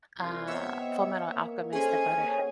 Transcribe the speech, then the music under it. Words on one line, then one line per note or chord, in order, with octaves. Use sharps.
uh, Fullmetal Alchemist: The Brotherhood,
C2 F4
B3 C4 C#5 D#5 E5 F#5
A#3
C#4 G#4 A4 C5 D#5 G#5
A#3 C4 C#5